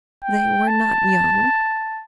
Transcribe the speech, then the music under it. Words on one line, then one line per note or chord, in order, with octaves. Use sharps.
They were not young.
G5
A5